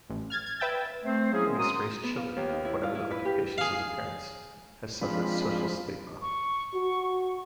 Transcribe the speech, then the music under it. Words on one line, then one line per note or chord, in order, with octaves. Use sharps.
Mixed-race children, whatever the occupations of their parents, have suffered social stigma.
A1
F6 G#6 A6
G#6
B4 E5 G5 E6 G6 A6
A3 C4 C5
F#3 A#3 C#4 E4 G#4
D#3 G#3 B3 C#4
F#4 A#4 C6 D#6
B3
F4
D#2
D#4
E4
F4
E4
B4
G4
G#4 F5
F3 G#3 C4 D4 F4 B5
C#6
F#4